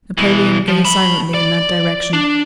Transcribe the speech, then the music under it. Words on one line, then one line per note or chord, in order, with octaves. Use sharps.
Napoleon gazed silently in that direction.
B2 E3
F3
A5 B5
D5
D4